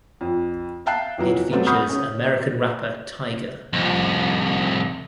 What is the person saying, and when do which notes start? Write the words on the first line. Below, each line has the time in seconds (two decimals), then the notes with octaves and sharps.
It features American rapper Tyga.
0.21 F2
0.86 E5 F5 G5 A5 F#6 C7
1.18 F2 E3 F#3
1.52 F#3 G3 A3 B3 C4
1.67 F#5 B5 C#6 D#6 F6 G6
1.90 C#4
3.73 C2 F2